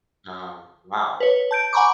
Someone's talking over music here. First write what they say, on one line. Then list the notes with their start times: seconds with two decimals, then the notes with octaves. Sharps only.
Um, wow.
1.20 B4 C#5
1.51 A5 G6 D7
1.73 F#5 G#5 A#5 B5 C#6 D6